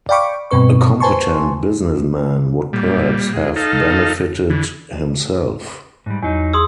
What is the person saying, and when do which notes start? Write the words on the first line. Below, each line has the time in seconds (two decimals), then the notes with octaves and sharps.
A competent business-man would perhaps have benefited himself.
0.09 D5 F5 G5 B5 C#6 D6
0.51 G2 B2 C4 B4 C#6
1.00 B4 C5 G#5 A5 C6 C#6
2.73 A#2 G3
3.33 G#3
3.56 D#4 A4 F5
4.50 D3 E3
6.06 G#2 G3
6.23 E2 F#3 D#4
6.53 G#4 C6 D#6 E6